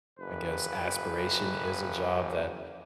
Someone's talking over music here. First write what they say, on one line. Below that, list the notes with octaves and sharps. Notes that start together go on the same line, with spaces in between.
I guess, aspiration is a job that,
F#1 B4